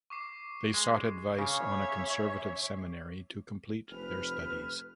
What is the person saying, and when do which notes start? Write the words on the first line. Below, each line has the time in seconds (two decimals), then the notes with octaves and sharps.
They sought advice on a conservative seminary to complete their studies.
0.10 C#6 D6 C7
0.74 G#3
1.39 C#3 C#5 E5
3.90 F1 B4 F6